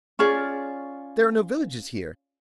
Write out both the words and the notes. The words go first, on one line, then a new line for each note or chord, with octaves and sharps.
There are no villages here?
C#4 F4 G#4 D5